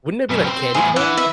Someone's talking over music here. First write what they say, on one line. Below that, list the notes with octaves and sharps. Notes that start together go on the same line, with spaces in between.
wouldn't it be like a candy corn?
F#2 B2
C4 C5
E2 A2 G#4
E3 F#5
E5